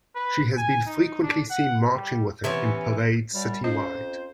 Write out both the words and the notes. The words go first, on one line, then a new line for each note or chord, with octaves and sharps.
She has been frequently seen marching with him in parades citywide.
B4
G#5
D#4
D4
F#5
G3
C3 E3 B3 C#4
F#2 G3
F2 C#4 F4 C5 D#5